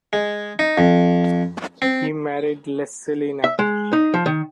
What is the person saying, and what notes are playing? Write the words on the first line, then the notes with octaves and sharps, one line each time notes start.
He married Lescelina.
G#3
D#4
F2
C4
E5
G#3
D#4
F3
D#3